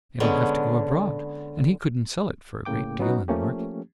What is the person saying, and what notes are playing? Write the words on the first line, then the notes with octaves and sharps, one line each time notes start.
It'll have to go abroad, and he couldn't sell it for a great deal in the market.'
D3 G#3 B3 C#4
A2 C#3 A#3 G5 D6
F#3 B3 C#4 D#4 F#4
F3 A3 A#3 C#4 G4